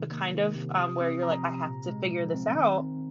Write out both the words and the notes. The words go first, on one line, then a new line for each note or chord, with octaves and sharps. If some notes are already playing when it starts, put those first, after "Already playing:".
but kind of, um, where you're like, "I have to figure this out,
Already playing: C3 D#3
A#3
D#3
C3
C3 D#6
C4
F3 A#5
C3
A#2
G#3
F3
C4
D#3
C4